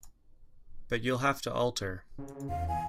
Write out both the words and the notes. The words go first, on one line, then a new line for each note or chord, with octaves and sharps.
But you’ll have to alter.
C#3
E2 F5
G#5